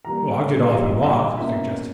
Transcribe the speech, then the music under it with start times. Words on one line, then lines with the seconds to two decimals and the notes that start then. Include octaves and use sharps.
"I'll get off and walk," suggested.
0.05 E3 G3 A#3 A#5
0.71 E3 G3 A#3 D#5
1.04 D#5
1.38 B2 A#3 C#4 E5